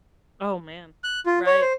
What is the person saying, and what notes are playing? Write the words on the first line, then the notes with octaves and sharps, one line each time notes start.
Oh, man. Right.
F#6
F4
C#5
C5